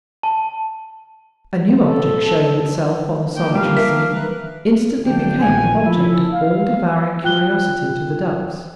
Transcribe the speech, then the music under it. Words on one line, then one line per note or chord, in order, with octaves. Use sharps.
A new object showing itself on the solitary scene instantly became an object of all-devouring curiosity to the ducks.
A5
A4
F3 A#3 G5
G3 F5
A#4 E5
A#4 B4 F#6
A1 D3 F3 F#3 D4 G5
A#1 G#5
F3 E4 A4
F5
F4 G5 F#6 G7